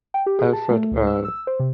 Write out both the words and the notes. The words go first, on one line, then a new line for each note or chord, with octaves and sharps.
Alfred Earle.
G5
G4
G#4
A5
A3
C#2
E6
E6
C5
C3